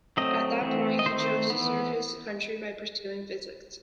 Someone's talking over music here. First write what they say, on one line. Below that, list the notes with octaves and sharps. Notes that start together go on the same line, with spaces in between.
At that point he chose to serve his country by pursuing physics.
F#3 A3 C4 D#5
E3 A3 C4
D#5
D#3 A3 C4 C5
E3 B3